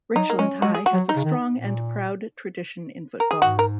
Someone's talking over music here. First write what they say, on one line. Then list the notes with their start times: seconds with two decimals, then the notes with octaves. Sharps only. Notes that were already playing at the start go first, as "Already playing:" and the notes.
Richland High has a strong and proud tradition in football.
0.16 F#3 D#4
0.30 A#3
0.39 G#3 C#4
0.62 G#3 F#4
0.74 G#4
0.86 F#4
0.93 F#3
1.09 D#4
1.16 C#3
1.25 D#3
1.55 A#2
3.20 A#4
3.31 G#4
3.42 G#2 F#4
3.59 A#4